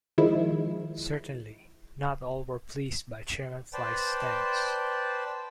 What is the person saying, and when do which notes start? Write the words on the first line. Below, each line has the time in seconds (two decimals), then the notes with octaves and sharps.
Certainly, not all were pleased by Chairman Fly's stance.
0.18 D#3 F3 G#3 E4
3.73 B4 C5 D5 G5 A5